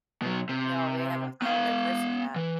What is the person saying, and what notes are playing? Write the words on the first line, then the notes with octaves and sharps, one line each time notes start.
No, they haven't found their person yet.
B2 F#3
C3
B3 F5
E3